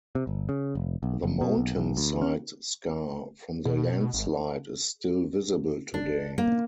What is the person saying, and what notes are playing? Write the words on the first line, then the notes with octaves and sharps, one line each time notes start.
The mountainside scar from the landslide is still visible today.
C3
G1
C#3
F1
B1
F#1
B2
B1
B1
D2
C#4
B2
G#1
D4
A#3